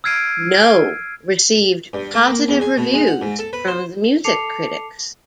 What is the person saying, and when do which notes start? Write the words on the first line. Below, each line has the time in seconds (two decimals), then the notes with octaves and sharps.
"No" received positive reviews from music critics.
0.04 E6 F6 G#6 C7 D7 D#7
1.93 G2
2.14 A3
2.29 A#3
2.49 E2
2.61 G#4
2.77 B2
2.93 G#3
3.07 F#5
3.22 G#2
3.39 A4
3.53 B4
3.67 C5
4.24 A4 A5 D6 C7 C#7 F7